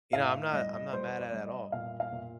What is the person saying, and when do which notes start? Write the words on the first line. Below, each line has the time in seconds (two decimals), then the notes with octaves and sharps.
you know, I'm not I'm not mad at at all,
0.13 A2 F5
0.53 G3 D#5
0.73 D#5
0.93 G3 C5
1.08 C5
1.20 D5
1.33 G3
1.46 D#5
1.72 A#2 F5
2.00 F5
2.12 A#2